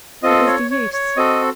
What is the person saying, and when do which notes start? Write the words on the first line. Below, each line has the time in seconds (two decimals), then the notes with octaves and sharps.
What was the use?
0.23 C4 F4 A4 D#5
0.47 C#5
0.71 C#5
0.93 C#5
1.17 C4 F#4 A4 D#5